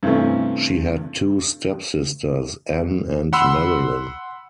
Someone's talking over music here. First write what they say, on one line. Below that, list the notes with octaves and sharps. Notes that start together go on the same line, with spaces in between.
She had two stepsisters, Anne and Marilyn.
G2 C3 E3 A3 C#4
F#5 B5 C6 E6